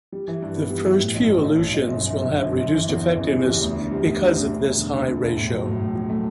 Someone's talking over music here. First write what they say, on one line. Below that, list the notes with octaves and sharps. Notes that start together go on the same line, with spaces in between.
The first few elutions will have reduced effectiveness because of this high ratio.
G3
E3
G2
B3
G3
E3
A2
B1
B1
B1
B1
B1
G1
F#2
G1
D3
G1
G1
E3
E2
E3
C#3
G3
E2
D2
D3
G3
D2
D4
D2
E1
E1
D3
D3
D3
E1
A2
F#3
A2
A2
F#3
A3